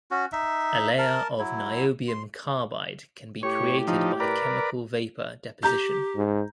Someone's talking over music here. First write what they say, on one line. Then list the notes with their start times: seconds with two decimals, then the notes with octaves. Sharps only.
A layer of niobium carbide can be created by chemical vapor deposition.
0.11 C#4 F#4
0.32 D#4 E5
0.98 A#4 A5
1.39 F#3 E4
2.08 C6
3.43 A2 G4 C#5
3.88 F3 D#4
4.20 A#4 B4 D5
5.63 G4 A#5 G6
6.16 G#2